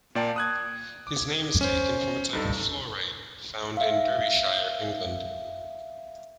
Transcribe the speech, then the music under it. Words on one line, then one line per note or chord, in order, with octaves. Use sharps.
His name is taken from a type of fluorite found in Derbyshire, England.
A#2 A#3 D5 G5 A5
D#6 F#6 G#6
D6
C#4 C5
G2 D#4 A4
E5 F5